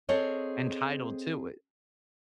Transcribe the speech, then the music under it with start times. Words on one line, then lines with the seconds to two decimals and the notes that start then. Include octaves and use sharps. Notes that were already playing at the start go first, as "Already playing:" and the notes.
entitled to it.
0.09 C4 G#4 A4 C#5 D#5 F5